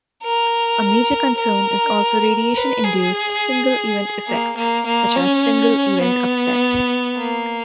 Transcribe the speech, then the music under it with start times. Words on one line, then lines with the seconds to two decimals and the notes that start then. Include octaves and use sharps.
A major concern is also radiation-induced "single-event effects" such as single event upset.
0.23 A#4
1.38 A#4
2.55 B4
2.84 G#4
4.28 A#3
4.57 A#3
4.87 A#3
5.15 C#4
6.02 B3
7.17 A#3